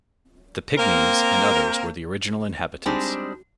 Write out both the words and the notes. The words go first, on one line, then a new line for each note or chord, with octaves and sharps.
The Pigmies and others were the original inhabitants.
A#3 C4 A#4
G3 G#3 C4 D4 D#4 G#4